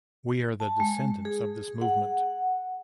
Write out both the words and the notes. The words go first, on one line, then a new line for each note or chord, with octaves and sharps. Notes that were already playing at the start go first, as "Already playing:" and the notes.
We are the descendants of this movement.
A5
G#3
G#4
F#5